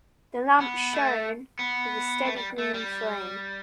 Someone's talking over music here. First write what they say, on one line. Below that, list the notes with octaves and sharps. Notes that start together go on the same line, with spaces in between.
The lamp shone with a steady green flame.
B3
A3
B3
A3
G3
A3
G3